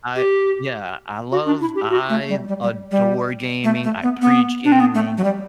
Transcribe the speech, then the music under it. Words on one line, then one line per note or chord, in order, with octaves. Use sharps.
I yeah. I love I adore gaming, I preach gaming,
G4
F#4
D4
E4
G4
F#4
A3
G3
G3
G3
G3
A3
A3
B3
B3
D4
C4
B3
A3
F#3
G3